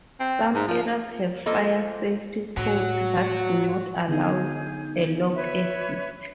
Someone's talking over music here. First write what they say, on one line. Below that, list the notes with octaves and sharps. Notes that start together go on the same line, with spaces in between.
Some areas have fire safety codes that do not allow a locked exit.
C4
G#2
F3
F3 A#3 A4 C5 D#5
A2 F#3 F#4
D3 B3 D#4 G#4 G6
B4 C#5 E5